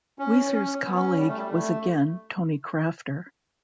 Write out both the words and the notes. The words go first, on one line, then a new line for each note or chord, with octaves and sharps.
Weser's colleague was again Tony Crafter.
C#4
C#4
B3
C#4
G3
A3
G3
A3